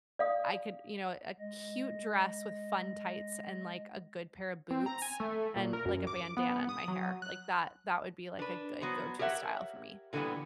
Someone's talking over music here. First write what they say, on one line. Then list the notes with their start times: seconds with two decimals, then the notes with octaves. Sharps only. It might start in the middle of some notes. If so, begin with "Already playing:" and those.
I could, you know a cute dress with fun tights and, like, a good pair of boots and, like, a bandana in my hair. Like that that would be like a good go-to style for me.
0.19 D5 F5 D#6
1.40 G#3 D#5
4.71 C4
4.86 A#5
5.02 G#5
5.20 A3
5.56 A#2
5.73 A#4
5.85 F#2
6.07 D6
6.37 B3
6.69 D#6
6.88 F#3
7.22 F#6
8.39 D4 B4
8.81 F#3 B3 C5
9.19 G4 A#4 C#5 E5 F#5
10.13 A#2 D3 E3 F#3 G3 B3